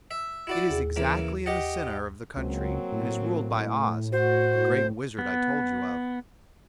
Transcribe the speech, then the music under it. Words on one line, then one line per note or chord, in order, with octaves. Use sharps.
"It is exactly in the center of the country, and is ruled by Oz, the Great Wizard I told you of."
E5
E4 F#4 D5
D#2 G#4
C#3 E3 A#3
G4 D#5 F#5
C#2 F#3 A#3 C4
A2
F#4 C5
B3